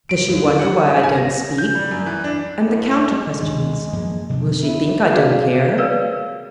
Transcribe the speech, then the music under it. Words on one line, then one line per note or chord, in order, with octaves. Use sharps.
Does she wonder why I don't speak? and the counter-questions--Will she think I don't care?
D7
D#2
F#5
C#3
G#5
A#6
G6
G3
F#2
E3
D4
A2
G#3
D2 D#3 D4
F#2 F3 A#3
B2 F3 D4
B3 E4
F#4 G#4 D5 F5
A#4 B4 C#5 D5 F5